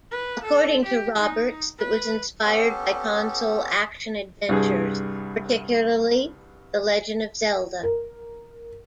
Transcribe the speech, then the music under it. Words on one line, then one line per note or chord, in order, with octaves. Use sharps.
According to Roberts, it was inspired by console action-adventures, particularly "The Legend of Zelda".
B4
A4
G4
D#4
B4
B3 C#4 G4 A4
C2 G2 G#4
A#4